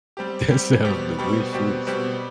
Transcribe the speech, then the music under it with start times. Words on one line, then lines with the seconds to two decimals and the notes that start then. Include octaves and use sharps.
that sounds delicious.
0.17 G3 C4 G4
0.51 G3 C4 G4
0.84 B2 G3 C4 G4
1.18 B2 G3 C4 G4
1.53 B2 G3 C4 G4
1.87 B2 G3 C4 G4